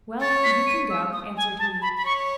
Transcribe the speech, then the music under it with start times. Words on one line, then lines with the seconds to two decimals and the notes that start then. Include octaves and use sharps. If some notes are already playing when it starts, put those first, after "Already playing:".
'Well, you can go,' answered he.
0.21 C#5 A6
0.44 B6
0.67 D#7
0.90 E6
1.13 D#6
1.37 G#5
1.59 A5
1.82 B5
1.97 B5
2.05 C#5 C#6